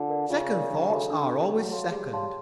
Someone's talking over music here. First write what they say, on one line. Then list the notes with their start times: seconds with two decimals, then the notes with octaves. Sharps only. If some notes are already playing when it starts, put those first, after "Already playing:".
"Second thoughts are always second."
Already playing: D3 F4
0.09 A#4 D5
0.29 C#3 F4
0.50 A#4 D5
0.70 D4
0.90 F#4 A4
1.11 D4
1.31 F#4 A4
1.52 F#3 G#4
1.72 C#5 F5 A5 C6
1.92 G3 G#4
2.13 C#5 F5 A5 C6